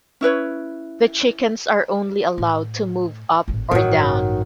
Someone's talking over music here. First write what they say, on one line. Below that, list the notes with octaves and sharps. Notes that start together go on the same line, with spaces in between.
The chickens are only allowed to move up or down.
C#4 E4 B4 C#5
A2
G#1 A2
A1 G2 D#3 F#3